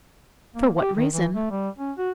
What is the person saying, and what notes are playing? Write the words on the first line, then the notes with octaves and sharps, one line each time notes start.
"For what reason?"
A#3
G4
D#3
E3
A3
G3
C#4
F#4